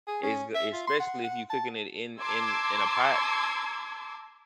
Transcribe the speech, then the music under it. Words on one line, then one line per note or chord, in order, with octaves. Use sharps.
it's g especially if you cooking it in in in a pot,
G#4
C#4
E5
F4
C6
F#5
F#5
A5
A5 A#5 C6 D6 E6 G#6